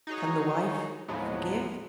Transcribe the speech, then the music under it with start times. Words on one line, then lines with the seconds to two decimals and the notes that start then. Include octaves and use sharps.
Can the wife--Forgive?
0.07 D#4 F#4 G#4 C#5
1.08 D#2 A2 F3 F#3 G#3 B3